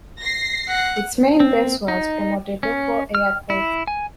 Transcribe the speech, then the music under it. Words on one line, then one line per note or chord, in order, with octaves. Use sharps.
Its main base was Domodedovo Airport.
A#6 C7
F#5
C4
D#4
C#4
F6
E4
G#5